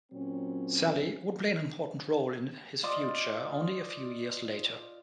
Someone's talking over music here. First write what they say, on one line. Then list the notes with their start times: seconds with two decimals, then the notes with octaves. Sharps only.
Saly would play an important role in his future only a few years later.
0.12 A#2 F#3 C4 C#4
2.83 F4 D5 D#5